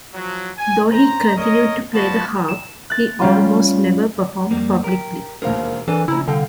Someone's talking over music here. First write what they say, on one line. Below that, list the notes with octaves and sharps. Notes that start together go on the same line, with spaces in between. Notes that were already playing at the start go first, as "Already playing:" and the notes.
Though he continued to play the harp, he almost never performed publicly.
F3 F#3
G#5
C5 A#5
A#4 C#5 D#5
F3 B3 F#4 A5 B5
E7
F#6 A6
G3 C#4 F4
F2 G3 A#3
G4 A#4
E1 D#2 A#4 C5 F5
E3 D4 A4 A#4 G#5
A#1 C#3 E4 A#5 E6
C2 D3 A4 F5 G5